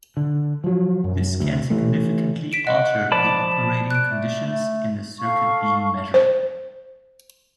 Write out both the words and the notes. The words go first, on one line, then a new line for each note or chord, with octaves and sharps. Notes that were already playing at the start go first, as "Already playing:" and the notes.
This can significantly alter the operating conditions in the circuit being measured.
D3
F3 F#3
F#2
D2
E3 A3
B6 D7 E7
D#5 F#5
F3 D5 A5 B5
F#6 D7
A3
A3
A4 F5 C#6
C5